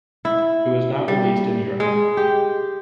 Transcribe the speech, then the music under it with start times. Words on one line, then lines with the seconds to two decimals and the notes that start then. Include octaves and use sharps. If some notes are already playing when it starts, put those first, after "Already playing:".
It was not released in Europe.
0.25 E4
1.08 G3
1.80 G#3
2.17 G4